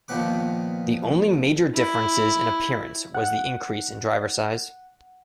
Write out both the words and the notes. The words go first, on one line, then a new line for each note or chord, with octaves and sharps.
The only major difference in appearance was the increase in driver size.
A#2 D#3 F3 B3 B4 D6
E4
F#5 F#6